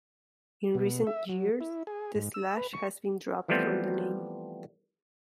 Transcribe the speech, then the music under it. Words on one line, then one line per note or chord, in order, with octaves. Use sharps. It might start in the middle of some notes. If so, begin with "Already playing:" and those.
In recent years, the slash has been dropped from the name.
B2
E5
F#3
E4
G#4
G#2
E6
B4
C#6
E3 F3 G3 A3 B3 C4